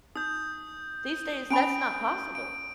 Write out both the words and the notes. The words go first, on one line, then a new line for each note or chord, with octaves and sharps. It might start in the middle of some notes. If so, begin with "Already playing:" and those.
These days, that's not possible.
D#4 D#6 G6
C#4 G#5 B5 D7
D7